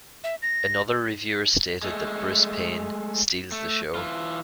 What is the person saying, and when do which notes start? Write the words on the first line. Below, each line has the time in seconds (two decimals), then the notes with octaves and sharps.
Another reviewer stated that Bruce Payne 'steals the show.
0.24 E5
0.42 A#6
1.83 G#3 A3
3.52 A3
3.95 E3 F4